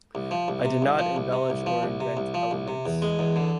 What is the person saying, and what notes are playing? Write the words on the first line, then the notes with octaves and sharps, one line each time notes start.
I did not embellish or invent elements.
C2
F3
C2
C3
C2
F3
C2
C3
C2
F3
C2
C3
C2
F3
C2
C3
E2
G#3
E2
D3